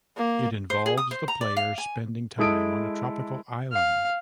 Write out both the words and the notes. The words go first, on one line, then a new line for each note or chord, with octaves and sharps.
It involves the player spending time on a tropical island.
A#3
C5
G#4
D#6
C5
A#5
D5
F5
G#5
G#3 E4 A4 D#6 D7
F5